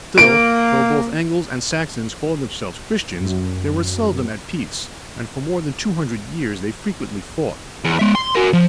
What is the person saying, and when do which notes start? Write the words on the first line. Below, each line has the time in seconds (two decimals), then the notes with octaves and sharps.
Still, though both Angles and Saxons called themselves Christians, they were seldom at peace; and for more than two hundred years they frequently fought.
0.18 A#3 D7
3.20 F#2
7.85 E2
7.99 G#3 E5
8.15 C6
8.35 F#4 A#4
8.53 F3